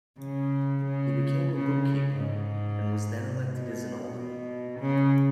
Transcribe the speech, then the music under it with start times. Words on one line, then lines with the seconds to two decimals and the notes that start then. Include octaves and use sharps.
He became a bookkeeper, and was then elected as an alderman.
0.20 C#3
0.85 C#3
1.52 C#3
2.17 G#2
3.48 B2
4.14 B2
4.80 C#3